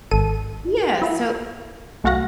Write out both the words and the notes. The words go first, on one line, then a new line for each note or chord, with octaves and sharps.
yeah, so
G#1 A4 D#7
E4 F4
C2 A3 F#4 F5 F#5 A#6